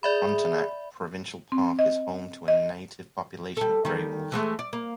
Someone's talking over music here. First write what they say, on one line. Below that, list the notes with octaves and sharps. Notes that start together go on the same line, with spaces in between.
Frontenac Provincial Park is home to a native population of grey wolves.
G#4 D5 E5 B5
C4
D#5
D#5
G3 A4
D#3 G3
E3 G#3 A3
D5
A#3